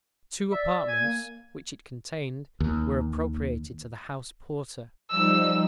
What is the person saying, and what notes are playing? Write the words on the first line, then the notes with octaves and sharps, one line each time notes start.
Two apartments, which it contained, were appropriated to the house-porter.
D5 E5
G#5
A#3
D#2
F3 G3 D#4 E6